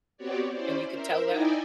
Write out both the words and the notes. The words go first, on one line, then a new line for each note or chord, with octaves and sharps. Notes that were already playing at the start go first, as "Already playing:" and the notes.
and you could tell that?
B3 C4 F#4 G4 C#5 D5
C#4 E4 C5 D5
A#4 C5 E5
D#4 E4 D5 D#5 G5 G#5